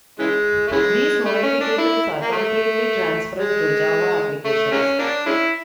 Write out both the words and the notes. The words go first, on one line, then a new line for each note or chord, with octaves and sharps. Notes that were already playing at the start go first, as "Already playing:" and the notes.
These modifications are completely transparent to Java applications.
C#3 E3 G#3
A3
C#3 E3 G#3
A3
C#4
D4
E4
A#3
A3
G#3
A3
G#3 A#3 C#4
A#3 D4
G#3 C#4 E4